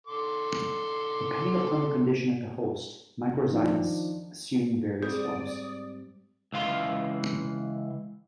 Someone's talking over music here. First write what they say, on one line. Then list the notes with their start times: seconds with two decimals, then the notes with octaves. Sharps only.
Depending upon the condition of the host, microzymas assume various forms.
0.07 A4 C6 D6
3.50 D#3 F3 D4
5.03 G#2 G3 C4 G#4 D5 D#6
6.53 C#2 E3 F5 C6